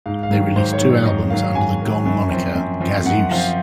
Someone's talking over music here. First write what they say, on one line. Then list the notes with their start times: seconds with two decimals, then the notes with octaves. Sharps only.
They released two albums under the Gong moniker, Gazeuse!
0.06 G#2 F5
0.23 F5
0.30 D#3 F#3
0.56 G#2 C5
0.73 C#5
0.80 D#3 F#3
0.90 C#5
1.05 G#2 D#5
1.30 D#3 F#3 F5
1.55 G#2 G#5
1.81 D#3 F#3
2.05 F#2
2.31 F3 C4
2.55 F#2
2.81 F3 C4
3.05 F#2 F#5
3.31 F3 C4 F5